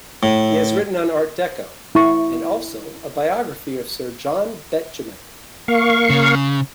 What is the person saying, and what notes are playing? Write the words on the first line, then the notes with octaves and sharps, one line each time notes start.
He has written on Art Deco, and also a biography of Sir John Betjeman.
A2
E4 C#6
A#3 F5 C#6
C#3